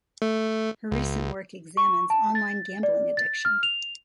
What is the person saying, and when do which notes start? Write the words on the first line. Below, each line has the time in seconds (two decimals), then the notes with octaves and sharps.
Her recent work examines online gambling addiction.
0.22 A3
0.92 C#2
1.77 C#6
2.10 A5
2.35 A6
2.83 D5
3.17 A6
3.45 F6
3.63 F7